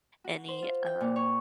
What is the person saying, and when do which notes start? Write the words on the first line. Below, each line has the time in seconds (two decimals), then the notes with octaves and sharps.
any, um,
0.24 F#4
0.48 C5
0.62 F4
0.86 G5
1.01 A#2
1.16 C#5